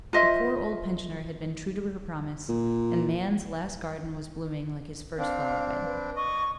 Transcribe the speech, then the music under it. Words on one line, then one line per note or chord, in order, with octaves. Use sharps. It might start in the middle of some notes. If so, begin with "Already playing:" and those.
The poor old pensioner had been true to her promise, and man's last garden was blooming like his first flower-bed.
F4 C5 D#5 E5
A#2
C4 D4 F5
B4
D#5 C#6